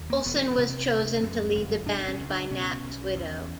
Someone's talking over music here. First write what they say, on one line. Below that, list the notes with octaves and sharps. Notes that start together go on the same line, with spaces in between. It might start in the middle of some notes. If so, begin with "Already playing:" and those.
Olsen was chosen to lead the band by Knapp's widow.
Already playing: D#2
A#3
E1 B3
C#4
C4
C3 B3
C4
D2
F#2
G1
B2 D4
C#4
C#2
D4
B2 C#4
B1
E2